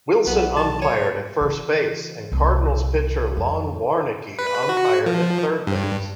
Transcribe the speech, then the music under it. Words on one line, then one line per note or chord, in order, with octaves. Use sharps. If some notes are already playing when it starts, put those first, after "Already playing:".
Wilson umpired at first base, and Cardinals' pitcher Lon Warneke umpired at third base.
B1 B3
A5
C#5
C#3 E3
C2 F2
F2
B4
F#4
F3
G2